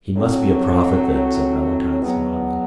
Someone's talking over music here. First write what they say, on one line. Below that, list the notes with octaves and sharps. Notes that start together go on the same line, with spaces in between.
"He must be a prophet, then," said Valentine, smiling.
A2 F#3 C4 F#4
E2 B2 F#3 B3